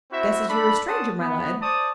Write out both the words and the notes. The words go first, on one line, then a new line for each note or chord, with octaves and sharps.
"Guess as you're a stranger, my lad."
C4 E4 F#4 E5
D4 A4 B5
C#4 D4 F#5 A5 C6 D#6
B3
C5 D5 A5 C#6 D#6